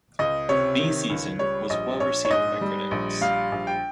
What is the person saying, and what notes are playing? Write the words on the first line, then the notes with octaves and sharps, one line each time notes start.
"Bee Season" was well received by critics.
C#2 D#5
C3 C#5
D#3
C#2
G3 C#5
A#1 D#5
A#1 C#5
C#5
G#2 D#5
G3
A#1
G3 F5
A#1
G5